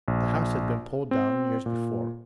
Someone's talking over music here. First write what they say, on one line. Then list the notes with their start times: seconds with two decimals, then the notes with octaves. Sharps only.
The house had been pulled down years before.
0.08 A#1
1.11 C4
1.66 A#2